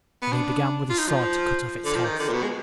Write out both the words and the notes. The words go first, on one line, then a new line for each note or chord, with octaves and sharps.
Then he began with his sword to cut off its heads.
B3
D4
F4
D#4
F3
D3
F3
D#3
D3
A#2
B2
G#3